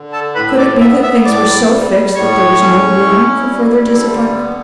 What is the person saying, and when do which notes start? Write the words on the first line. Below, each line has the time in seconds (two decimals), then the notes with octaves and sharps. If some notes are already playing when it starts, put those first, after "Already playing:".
Could it be that things were so fixed that there was no room for further disappointment?
Already playing: D3
0.13 A4 A5
0.35 A2 B4 B5
0.50 E6
0.58 D5 D6
0.80 B3 E5 E6
1.03 E5 E6
1.25 A2 D5 D6
1.70 G3
2.15 A2 C#5 C#6
2.60 C#4
3.06 E4
3.50 G3
3.95 D3
4.40 B3